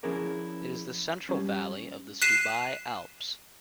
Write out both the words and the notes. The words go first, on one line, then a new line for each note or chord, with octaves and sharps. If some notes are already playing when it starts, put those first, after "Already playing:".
It is the central valley of the Stubai Alps.
F3 C#4 E4 G#4 A#4 D5
G3 C#4
F#6 B6 C7 D#7 E7